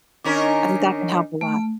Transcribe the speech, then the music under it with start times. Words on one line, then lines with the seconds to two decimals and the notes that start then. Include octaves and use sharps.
I think that can help a lot,
0.24 D#3 C#4 D4 A#4
1.41 A3